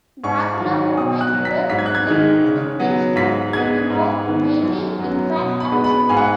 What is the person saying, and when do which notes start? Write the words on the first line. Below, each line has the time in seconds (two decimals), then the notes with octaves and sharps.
Dracula provides them with victims to devour, mainly infants and children.
0.24 G#2 C#6
0.60 D#3 F#3
0.97 B2 D#6
1.21 F#6
1.33 F#3
1.39 B3
1.45 B6
1.70 G#2 B6
1.78 G#6
1.86 F#6
1.95 G#6
2.07 D#3 G#3
2.44 C#3
2.80 F#3 B3
3.16 G#2 B6
3.53 G#3 B3 G#6
3.90 G#2
4.26 D#3 B3
4.63 F#2
4.99 F#3 B3
5.36 B2 D#6
5.60 B5
5.72 G#3 B3
5.84 B5
6.09 G#2 G#5
6.17 F#5